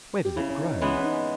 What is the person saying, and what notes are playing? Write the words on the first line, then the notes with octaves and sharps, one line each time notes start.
Where does it grow?
G4
C#3 E4
C#4
D#4
E3 G#3 B3 C#4
C#4
D#4